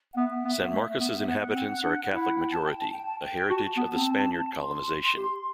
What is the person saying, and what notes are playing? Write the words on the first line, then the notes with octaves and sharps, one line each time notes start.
San Marcos' inhabitants are a Catholic majority, a heritage of the Spaniard Colonization.
F#5
B3 E5
B3
A3
B3
E5
B3 F#5
C4
D4
E4
G5
A5
G5
A5
G5
A5
G5
F#4 A5
B3
C4
C6
G4